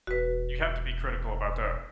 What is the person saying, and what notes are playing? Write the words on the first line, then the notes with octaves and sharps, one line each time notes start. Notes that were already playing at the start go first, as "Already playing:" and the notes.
you have to be critical about that.
E1 F#4 B4